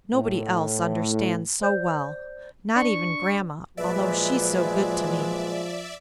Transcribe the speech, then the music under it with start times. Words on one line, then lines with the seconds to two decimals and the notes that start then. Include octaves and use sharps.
Nobody else understands so well . . . not even grandma, although she's so good to me.
0.14 A2
1.62 C5 D5 G6
2.76 D4 C#6
3.77 A#2 F3 F#3 G#3 B4 D5 E5